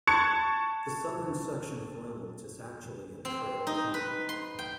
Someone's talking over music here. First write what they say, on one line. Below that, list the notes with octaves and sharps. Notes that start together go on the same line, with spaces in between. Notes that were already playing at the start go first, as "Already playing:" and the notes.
The southern section of Reynolds is actually in Traill County.
A5 C#6 F#6 G#6 C#7
C4
D#4
B4
C6
G5